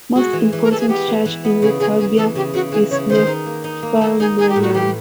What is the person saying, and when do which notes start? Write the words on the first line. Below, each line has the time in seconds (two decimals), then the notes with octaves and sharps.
Most important church in the "tabia" is Melfa Maryam.
0.15 G#3 F#4
0.33 E3
0.53 E3
0.64 A#4
0.71 E3 A4
0.80 G#4
0.89 B3 G4
1.08 E3
1.25 E3
1.44 B3
1.62 C#3 G#4
1.80 C#3 G#4
1.98 C#3 G#4
2.17 E3 A4
2.35 C#3 G4
2.54 C#3 F#4
2.72 E3 G#4
2.91 C#3 C#5
3.09 D#3 C5
3.27 D#4
3.46 A#3
3.64 D#4
3.83 A#3
4.01 A#3 A4
4.20 D#4 G#4
4.38 D#4 G#4
4.49 G4
4.56 A2
4.62 F#4
4.74 E3 G4